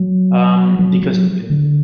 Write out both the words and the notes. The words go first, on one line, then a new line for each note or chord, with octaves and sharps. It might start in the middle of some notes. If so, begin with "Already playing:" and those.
um, because, you know
Already playing: F#3
F#3
F#3
D3